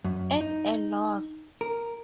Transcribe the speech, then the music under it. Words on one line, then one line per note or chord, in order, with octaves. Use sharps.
At a loss.
F#2
D#4
A#4